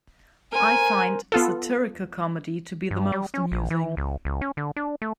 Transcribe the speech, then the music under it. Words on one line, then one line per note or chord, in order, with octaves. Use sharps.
I find satirical comedy to be the most amusing.
A#4 C5 G#5
B3 F4 A4
G2
G3
C#4
A#1
E3
C#2
C#2
C#4
D3
D4
A3